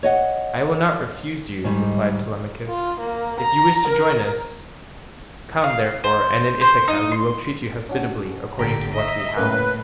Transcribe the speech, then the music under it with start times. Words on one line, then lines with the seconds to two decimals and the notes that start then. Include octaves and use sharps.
"I will not refuse you," replied Telemachus, "if you wish to join us. Come, therefore, and in Ithaca we will treat you hospitably according to what we have."
0.03 C#5 D#5 F#5
1.64 G#2 D#3 G3
2.69 F4
3.00 A#3
3.41 A#5
3.88 A#4
5.64 F5
6.04 C5
6.61 C5
6.88 D#4
7.12 C6
7.89 C#4 D4 F#4
8.59 G#1 D3 A#3 G4 A#5
8.93 D#5 E5
9.37 A2 C#3 A#3 B4